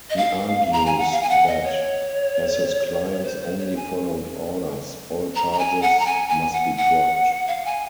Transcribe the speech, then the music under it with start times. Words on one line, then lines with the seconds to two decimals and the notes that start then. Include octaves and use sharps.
He argues that, as his clients only followed orders, all charges must be dropped.
0.10 D#5
0.17 F5
0.72 A#5
0.86 G#5
0.98 F#5
1.12 F5
1.23 G#5
1.29 F#5
1.47 D#5
1.65 C#5
3.24 C5
3.41 C5
3.59 C#5
3.76 G#5
5.35 A#5
5.52 A#5
5.59 G#5
5.82 F#5
5.99 A#5
6.06 G#5
6.29 G#5
6.53 F#5
6.77 F#5
7.47 F5
7.65 G#5